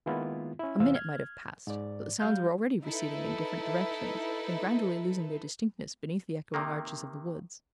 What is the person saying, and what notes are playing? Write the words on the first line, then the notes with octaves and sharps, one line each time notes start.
A minute might have passed, but the sounds were already receding in different directions, and gradually losing their distinctness beneath the echoing arches of the woods.
D#3 G#3 A#3 B3 E4 F4
C#4 E4
E2 C3 E3 C5 F5 E6
F6 G#6
G#2 D5
G3 F5 G6
D#4 E4 A4 B4
C3 D#3 A#3